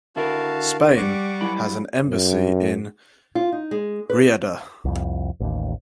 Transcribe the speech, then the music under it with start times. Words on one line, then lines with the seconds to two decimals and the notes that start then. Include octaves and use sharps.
Spain has an embassy in Riyadh.
0.16 D3 E4 F#4 A#4 F5 A5
0.97 G3 F#5 C#6 D6
1.41 F#3 E4 B5
2.07 F#2
3.35 F4
3.52 D#4
3.71 G#3
4.10 B4
4.85 C2 F2
5.40 A1 D#2